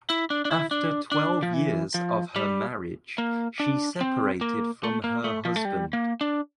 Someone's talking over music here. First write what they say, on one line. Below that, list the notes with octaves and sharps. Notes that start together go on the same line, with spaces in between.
After twelve years of her marriage she separated from her husband.
E4
D4
D4
E4
D4
D4
F3
E3
F3
G3
A#3
D4
C4
A#3
A3
A#3
A3
F3
A3
G3
A#3
D4